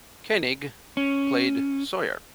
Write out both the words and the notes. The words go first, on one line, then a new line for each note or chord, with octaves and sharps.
Koenig played Sawyer.
C#4